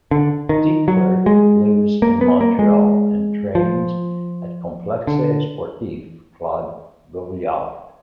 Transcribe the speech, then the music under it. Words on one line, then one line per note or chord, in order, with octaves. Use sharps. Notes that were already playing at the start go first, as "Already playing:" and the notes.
Petitclerc lives in Montreal, and trains at Complexe sportif Claude-Robillard.
D3
D#3
F#3
G#3
A#3
B3
A#3
G#3
F3
D3